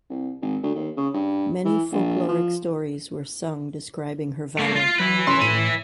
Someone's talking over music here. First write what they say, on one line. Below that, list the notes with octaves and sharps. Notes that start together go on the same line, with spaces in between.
Many folkloric stories were sung describing her valour.
C2
G#1
D2
D#2
C#3
G2
E3
A#1
F3
A3 A#3
F4 F5
F#3 E4 B4
C#4 C6
A2 D#7